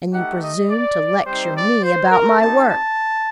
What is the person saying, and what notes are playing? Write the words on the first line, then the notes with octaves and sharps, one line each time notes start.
And you presume to lecture me about my work!
A3 D#4 G4 F#5
D#5
D5
G3 C4 D#4 C5
D5
C5
A#4
C4 D#4 G4 A5
A5